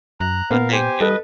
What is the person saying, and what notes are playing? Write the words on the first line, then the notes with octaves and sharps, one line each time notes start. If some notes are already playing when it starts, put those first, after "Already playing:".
Uh, thank you.
F#2 A#5 F#6
A#2 B3 A#4 F5
G4 C5 G#5
G3 A4 B4 D#5